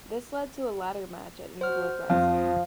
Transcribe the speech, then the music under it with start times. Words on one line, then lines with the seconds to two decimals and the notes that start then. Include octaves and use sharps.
This led to a ladder match at New Blood Rising.
1.61 F#4 C5 F6
2.10 F2 F3 F5